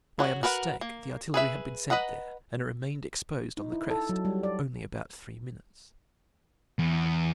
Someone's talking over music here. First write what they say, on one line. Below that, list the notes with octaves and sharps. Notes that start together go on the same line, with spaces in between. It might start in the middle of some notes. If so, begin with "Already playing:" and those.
By a mistake, the artillery had been sent there, and it remained exposed on the crest only about three minutes.
F#3 F#4
F#4 A#4 B4 F#5
A#3
G#4 B4 E5
B4 D#5 F#5 A#5
D#4
E4
A4
F#3
G3
D5
E2